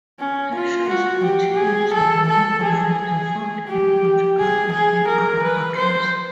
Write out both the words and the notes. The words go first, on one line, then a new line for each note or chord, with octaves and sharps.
Her shows continue to be regularly performed in Portugal and in other countries.
C#4
F4
F#4
G4
G#4
A4
A4
G#4
G4
G#4
G#4
A#4
B4
C5